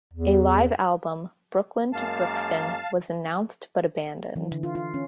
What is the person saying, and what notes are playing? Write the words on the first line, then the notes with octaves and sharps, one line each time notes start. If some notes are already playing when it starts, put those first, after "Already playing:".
A live album, "Brooklyn To Brixton", was announced but abandoned.
E2
F#2 G#3 A#3 F5 A5
E3
D3
F4
F4
C#4